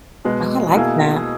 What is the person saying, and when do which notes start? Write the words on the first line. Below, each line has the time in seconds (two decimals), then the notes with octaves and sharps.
I like that.
0.25 B2 G#3 B3
0.74 B2 A#3 E4 G#4